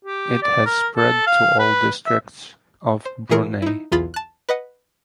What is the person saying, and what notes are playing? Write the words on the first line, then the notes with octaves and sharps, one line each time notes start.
It has spread to all districts of Brunei.
G4
D5
A#4
A4
F5
B4
E5
C5
A#2 E3 A3 G#4 A#4 C#7
D#4 E4
B1 E2 F4 G#4 B5 A6
A5 F#6
B4 D#5 F#5